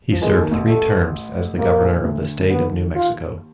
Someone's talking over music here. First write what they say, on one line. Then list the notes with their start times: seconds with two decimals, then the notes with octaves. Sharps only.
He served three terms as the governor of the state of New Mexico.
0.12 F3
0.21 E2 E3 G#3
0.36 D#2 D#3
0.51 A1 A2
0.67 A3
1.54 G#2
1.58 A1 A2 A#3
1.81 A#1 A#2
2.04 D2 D3
2.40 D3
2.49 D#2 D#3 B3
2.96 F4